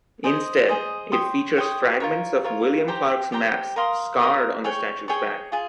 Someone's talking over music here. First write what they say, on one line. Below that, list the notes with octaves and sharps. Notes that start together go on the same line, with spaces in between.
Instead, it features fragments of William Clark's maps "scarred" on the statue's back.
G#4 C5 D#5
G#4 C5 D#5
C#5 G5 C6 D#6
C#5 G5 C6 D#6
F4 A#4 C#5
F4 A#4 C#5
G4 C5 G5 A#5
G4 C5 G5 A#5
A#4 F5 C6 D#6
A#4 F5 C6 D#6
G#4 C#5 G5 C#6
G#4 C#5 G5 C#6
F4 G#4